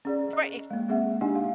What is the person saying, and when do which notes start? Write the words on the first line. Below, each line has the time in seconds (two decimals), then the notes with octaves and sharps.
Right. It's
0.05 C#4 G#4 D5
0.33 D#5
0.71 G#3 A#3
0.88 G#3 C4 G#4 E5 F#5
1.21 D4 D#4 G4 D#5 F#5 G#5
1.35 F5